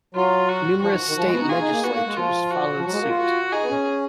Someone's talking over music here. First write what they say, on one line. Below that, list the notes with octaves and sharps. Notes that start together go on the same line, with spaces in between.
Numerous state legislatures followed suit.
F#3 F4
F#4
F3 F#4
D#3
D#3
F3
G#3
B3
D#4
F4 G#4
D#4
A#3
B3 F#4
A#3
G#3
F3 F4
F#4
F3
F#3 F#4
G#3
A#3
F4
F#4
D#4 G#4
B3
C#4